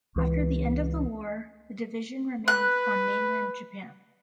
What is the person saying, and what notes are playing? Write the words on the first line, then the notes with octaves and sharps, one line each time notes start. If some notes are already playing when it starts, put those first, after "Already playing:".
After the end of the war, the division remained on mainland Japan.
C#2 E3
B4 F#6